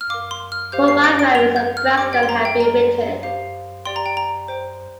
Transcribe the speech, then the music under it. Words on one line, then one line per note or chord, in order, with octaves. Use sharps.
Four biographies of Prescott have been written.
F6
A#4 F5 D6
C6
F6
G4 C5 F5 G6
C7
D7
D7
A#4 G5 F7
G6
F6
G4 D5 G5 D6
G5
C6
A#5
G5
A#4 D5 G5 A#5
G4 C5 F5
G4 D5 G5 C6
A#5
G5
A#5
C5 G5